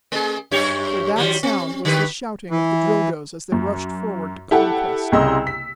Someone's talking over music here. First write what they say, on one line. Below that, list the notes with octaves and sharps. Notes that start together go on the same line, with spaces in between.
For that sound was the shouting of the Drilgoes as they rushed forward to conquest.
A3 G#4
F#2 G4 C#5
D#3 F#3 G3
C4
D3 G4 B4
E3
F#2
E4 G4 A4 F#5
C2 C#3 D#5 C6 E6
B6